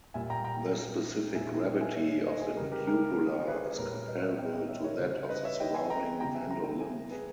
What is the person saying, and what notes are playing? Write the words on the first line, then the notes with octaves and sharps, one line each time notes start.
The specific gravity of the cupula is comparable to that of the surrounding endolymph.
A#2 G3 E5 G#5
G5 A#5
G5 A#5
A#2 G3 E5 G#5
D#5 G5
E5 G#5
C#5 E5
B4 D#5
G#4 B4
C#3 E3 G3 G4 A#4
G4 A#4
G4 A#4
G#4 B4
A#2 G3 A#4 C#5
B4 D#5
C#5 E5
D#5 G5
D#5 G5
C#5 E5
A#4 C#5
C#3 E3 G3
B4 D#5
C#5 E5
D#5 G5
E5 G#5
G5 A#5
C#3 E3 G3 G5 A#5
E5 G#5
G5 A#5
E5 G#5
G#4 B4